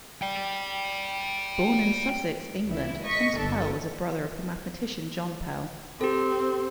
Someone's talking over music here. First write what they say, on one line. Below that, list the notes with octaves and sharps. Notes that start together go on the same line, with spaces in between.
Born in Sussex, England, Thomas Pell was a brother of mathematician John Pell.
D5 G5
C#2 E3 E4
D#5 C#6 B6
G1 D4 A4
C4 G4 A4